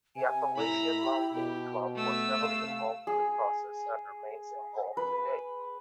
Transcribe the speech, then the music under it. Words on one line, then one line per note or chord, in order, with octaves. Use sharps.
The Appalachian Mountain Club was heavily involved in the process and remains involved today.
C3 G#5
A2 E4 A#5 B5
G4
B2 G4
A3 B3 E6
C3 F5
G#4
B4